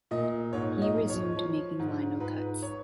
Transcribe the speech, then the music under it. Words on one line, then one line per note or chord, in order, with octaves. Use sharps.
He resumed making lino-cuts.
A#2 D#5
G#2 C#5
D#5
F3
C#5
F3
G#2
G#2 B4
C#5